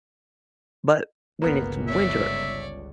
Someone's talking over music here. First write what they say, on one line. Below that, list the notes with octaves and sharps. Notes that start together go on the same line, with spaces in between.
but, when it's winter,
G1 C#2 A#3 B3
C#5 D5 E5